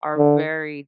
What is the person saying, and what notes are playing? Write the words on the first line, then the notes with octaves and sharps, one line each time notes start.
are very,
D3